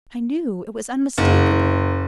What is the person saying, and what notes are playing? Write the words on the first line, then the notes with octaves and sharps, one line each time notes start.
I knew; it was unmistakable.
F#1